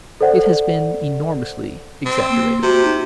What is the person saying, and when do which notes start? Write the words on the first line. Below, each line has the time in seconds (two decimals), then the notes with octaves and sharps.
It has been enormously exaggerated.
0.21 A4 C5 D5 F#5
2.06 C4
2.30 A#3
2.63 C3 F#4
2.85 D#4